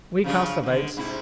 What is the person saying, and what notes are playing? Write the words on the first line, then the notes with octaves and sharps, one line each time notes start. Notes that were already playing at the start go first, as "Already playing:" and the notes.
We cast the votes.
C#3 F3 D4
D#2 D3
G#2 C3 E4